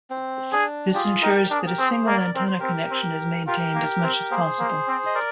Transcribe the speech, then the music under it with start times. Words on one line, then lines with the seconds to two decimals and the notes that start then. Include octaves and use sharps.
This ensures that a single antenna connection is maintained as much as possible.
0.10 C4
0.52 D4 G#4
0.94 F4 G4 G#4
1.22 D#4 G4 A#4
1.50 D4 A#4
1.59 G#4
1.67 G4 A#4
1.79 C4 G#4 C5
2.07 A#3 A#4 D5
2.34 C4 A#4
2.47 C5
2.59 C4 G4 A#4
2.91 C4
3.47 F4 G4 A#4
3.75 A#3
4.03 C4
4.31 A#3 G#4 C5
4.59 A#3
4.88 C4
5.06 D#5
5.15 A#4 D5